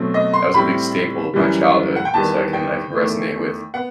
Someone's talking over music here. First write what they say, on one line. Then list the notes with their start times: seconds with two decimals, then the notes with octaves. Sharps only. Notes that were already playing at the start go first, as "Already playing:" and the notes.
that was a big staple of my childhood, so I can I can resonate with
Already playing: B2 F#3 A3 C4
0.14 D#5
0.33 C6
0.54 A2 G3 C4 B5
1.33 F#2 E3 G3
1.96 F#5
2.05 G5
2.14 E2 D#3 G3 B3 A5
2.53 G5
2.94 E2 D#3 A3
3.74 B3 F#5